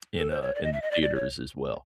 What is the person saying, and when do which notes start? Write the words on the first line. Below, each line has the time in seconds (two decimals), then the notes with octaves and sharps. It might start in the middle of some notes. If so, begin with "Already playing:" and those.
in uh, in the theaters as well.
0.18 A4
0.30 C5
0.42 C#5
0.55 D5
0.63 D#5
0.73 E5
0.82 D#5
0.91 D5
1.02 D5
1.15 C#5